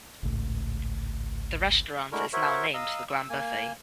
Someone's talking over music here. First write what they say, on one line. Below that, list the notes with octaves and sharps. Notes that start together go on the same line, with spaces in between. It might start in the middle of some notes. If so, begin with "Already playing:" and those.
The restaurant is now named The Grand Buffet.
G#1 C#2 A2
G#3 A3 D4 E4 F#4 A#4
F#4 A#4 C5 C#5 E5 C#6
D#5 F5 A#5 E6
E6
A#3 G#5